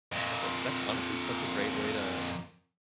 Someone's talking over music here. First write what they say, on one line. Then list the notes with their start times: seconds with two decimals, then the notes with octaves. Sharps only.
I feel, like that's honestly it's such a great way to uh,
0.12 F2 A#2